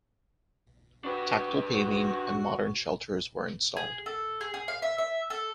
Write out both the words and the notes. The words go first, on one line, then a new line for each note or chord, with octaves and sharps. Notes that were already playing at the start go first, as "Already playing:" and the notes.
Tactile paving and modern shelters were installed.
D4 F#4 B4
F#4
G#4
A4
G#4
G#4
F5
E5
E5
A4